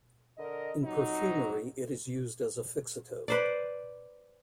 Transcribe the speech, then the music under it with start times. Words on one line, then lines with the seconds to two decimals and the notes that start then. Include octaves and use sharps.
In perfumery it is used as a fixative.
0.38 D3 A#4 D#5
0.83 F2 F#3 D#4
3.28 B4 C5 D5